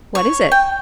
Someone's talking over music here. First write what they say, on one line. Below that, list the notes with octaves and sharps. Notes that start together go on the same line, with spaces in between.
"What is it?"
C#5
G5